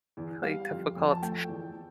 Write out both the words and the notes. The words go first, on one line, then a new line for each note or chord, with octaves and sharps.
really difficult.
E2
G3 F5
F2
F2
A5
A3 G5
E2